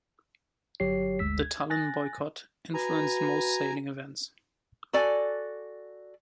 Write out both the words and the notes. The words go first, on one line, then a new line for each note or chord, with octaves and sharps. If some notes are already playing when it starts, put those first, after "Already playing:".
The Tallinn boycott influenced most sailing events.
G1 F#3 G4 C#5 C7
G1 D2 G#3 E6 B6
G#6
G#5 F#6 A6 A#6
F#4 B4 G#5 A#5
F#4 A4 D5 G#5